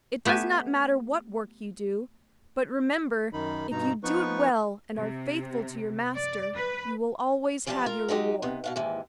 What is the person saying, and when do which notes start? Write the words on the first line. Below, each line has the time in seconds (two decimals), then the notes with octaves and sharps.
It does not matter what work you do, but remember if you do it well and are faithful to your master, you will always have your reward.'
0.25 A3 B3 G4 E5 G#5
3.33 F#2 D#3 D#4 B5
3.71 G2 B2 D#4 A#5
4.03 F3 B3 D#4 B4 C#6
4.98 C3
6.15 D5
6.54 B4
7.67 E3 F3 G3 G4 F5 A5
7.86 F4 A#4
8.09 F#3 G#3 D#4 G4
8.42 C3 B3
8.64 B2 F5 F#5
8.76 D#2 G#2 E3